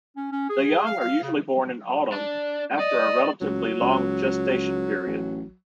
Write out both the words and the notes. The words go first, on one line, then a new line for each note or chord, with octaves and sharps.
The young are usually born in autumn, after a relatively long gestation period.
C#4
C#4
G#4
F5
F5
C#3
D4 D5
D5 D#5
C#2 F#3
C#2
C#2
A1